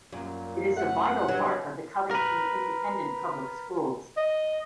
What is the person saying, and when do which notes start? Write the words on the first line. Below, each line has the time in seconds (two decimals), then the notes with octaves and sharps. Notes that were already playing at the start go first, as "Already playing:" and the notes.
It is a vital part of the Covington Independent Public Schools.
0.13 F#2 A#2
0.76 A3 F#5
1.28 G2 F#3
2.11 A#4 B4
4.17 D#5